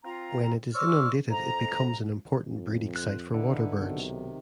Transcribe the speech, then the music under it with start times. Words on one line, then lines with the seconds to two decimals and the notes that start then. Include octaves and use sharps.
When it is inundated it becomes an important breeding site for waterbirds.
0.05 C4 F4 A#5
0.75 C5 D5 C#6 D6 E6 F6
1.30 F2 A#5
2.48 F2
2.96 C5 F#6
3.34 D3 D#4 E4 B4
3.76 B1 C3 D#3